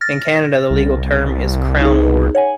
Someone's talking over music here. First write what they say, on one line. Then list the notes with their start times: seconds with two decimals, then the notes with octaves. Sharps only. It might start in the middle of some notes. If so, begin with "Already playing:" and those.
In Canada the legal term is Crown ward.
0.01 F6 A6 A#6
0.71 C2
1.82 D#4 G#4
2.35 C#5 F#5 G#5